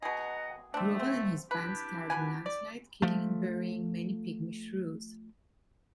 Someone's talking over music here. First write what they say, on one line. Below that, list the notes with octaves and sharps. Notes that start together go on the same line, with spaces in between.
Gruven and his band start a landslide, killing and burying many pygmy shrews.
B2 G#4 D#5 F#5 A#5
A3 C4 D4
C4
D4 E4 G4 B4
B2 B4 G#5
D5
F3 A3